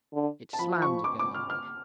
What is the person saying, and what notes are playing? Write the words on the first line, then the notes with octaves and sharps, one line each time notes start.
It slammed again.
D3
A5
F3 B5
C#6
D6
D6
F6
F6